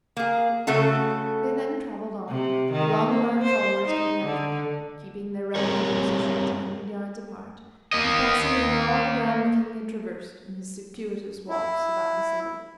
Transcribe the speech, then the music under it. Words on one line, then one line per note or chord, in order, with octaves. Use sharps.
They then travelled on, the long line of followers coming after, keeping their relative positions a hundred yards apart, and passing over all the ground the King had traversed in his circuitous walks about the city.
A#3 G#4
C#3 A3 F#4 A4
C3
D#3
A#3
C5
D#4
D3
G3 C4 G4 G#4 A#4 C#5
A#3 D#5
E4